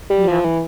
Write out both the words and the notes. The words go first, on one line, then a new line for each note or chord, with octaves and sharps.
you know?
G3
F3
E3